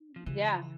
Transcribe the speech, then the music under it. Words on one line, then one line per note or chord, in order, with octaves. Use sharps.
Mhm, yeah.
F3
C#3 E3